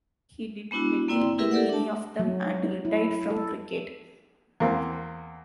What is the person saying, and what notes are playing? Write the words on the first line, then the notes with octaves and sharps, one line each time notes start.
He did little in any of them, and retired from cricket.
G#3 B3 D4 E4 F#4
A#3 C4 E4 D5 G5 C6
E4 G4 G#4 A#4 B4 E5
G4 A4 A#4 D5 E5 F#5
D4 A5
F#3
E4
A4
E2 A#3 C4